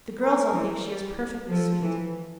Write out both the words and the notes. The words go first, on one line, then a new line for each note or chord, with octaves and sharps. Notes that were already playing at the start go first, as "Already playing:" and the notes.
The girls all think she is perfectly sweet.
A#4
E3
G3
F3 A4
E3